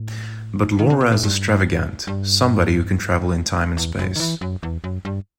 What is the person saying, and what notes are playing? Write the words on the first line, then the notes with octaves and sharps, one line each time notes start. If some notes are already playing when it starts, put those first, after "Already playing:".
But Laura is a Stravagante, somebody who can travel in time and space.
Already playing: A2
D#3
C3
B2
A2
G2
G2
E2
F#2
D#3
E3
F#2
E2
F#2
G2